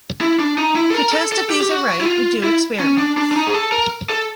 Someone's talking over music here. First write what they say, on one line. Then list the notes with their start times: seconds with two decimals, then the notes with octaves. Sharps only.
To test if these are right, we do experiments.
0.21 E4
0.39 D4
0.58 D#4
0.76 E4
0.90 A4
0.94 A#4
1.12 A4
1.32 A4
1.50 G4
1.61 G4
1.69 F#4
2.01 E4
2.05 F4
2.43 E4
2.80 C#4
2.98 D4
3.17 D4
3.31 D4
3.36 D#4
3.47 G#4
3.54 A4
3.72 A#4
4.09 A4